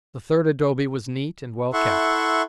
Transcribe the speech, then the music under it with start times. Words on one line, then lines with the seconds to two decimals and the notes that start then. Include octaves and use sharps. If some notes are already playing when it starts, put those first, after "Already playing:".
The third adobe was neat and well kept.
1.73 E4 A4 E5 F#5 C6 C#6